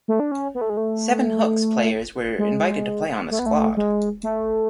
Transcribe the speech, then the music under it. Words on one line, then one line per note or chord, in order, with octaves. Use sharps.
Seven Hooks players were invited to play on the squad.
A3
D4
C#4
B3
A3
G#3
A3
G#3
A3
B3
A3
G#3
A3